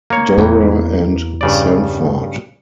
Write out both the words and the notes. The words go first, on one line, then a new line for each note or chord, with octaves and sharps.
Dora and Sanford.
A#3 C#5
E2
G2 C#3 D5